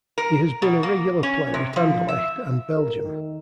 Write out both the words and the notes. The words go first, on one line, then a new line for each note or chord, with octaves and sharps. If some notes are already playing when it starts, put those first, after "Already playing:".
He has been a regular player at Anderlecht and Belgium.
A#4
B2
A#3
C#4
C3
F3
E5
A#4
D#3